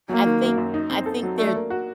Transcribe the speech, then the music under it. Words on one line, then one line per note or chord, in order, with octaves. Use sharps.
I think I think they're
F#3 A#3
D#3
F#2
F#2
D#4
C4
A4
F#3
A3 D4
A#3
F#4